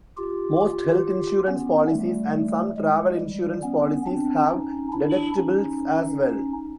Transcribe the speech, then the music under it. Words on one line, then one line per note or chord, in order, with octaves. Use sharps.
Most health insurance policies and some travel insurance policies have deductibles as well.
F4 G4
F4 G4
B3 C#4
G3 A3
G#3
G3
B3 C#4
C4 D4
C#4 D#4
D4 E4
C#4 D#4